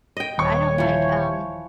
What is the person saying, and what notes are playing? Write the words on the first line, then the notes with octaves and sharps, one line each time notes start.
I don't like, um,
D#5 G5
D#1 C#5 C#6
E3 F3